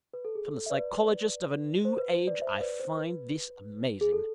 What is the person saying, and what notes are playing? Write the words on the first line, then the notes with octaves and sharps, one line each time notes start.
From the Psychologist of a New Age I find this amazing.
B4
A4
G#4
A4
E5
B4 D5
C5
B4
C5
B4 D5
C5 E5
C5
B4 D5
C5
B4
G#4
A4